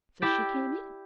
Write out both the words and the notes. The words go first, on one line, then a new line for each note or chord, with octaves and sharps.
So she came in.
E4 G4 D5 G5